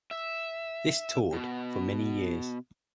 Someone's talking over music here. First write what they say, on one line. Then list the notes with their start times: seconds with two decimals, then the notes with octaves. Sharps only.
This toured for many years.
0.11 E5
1.33 B2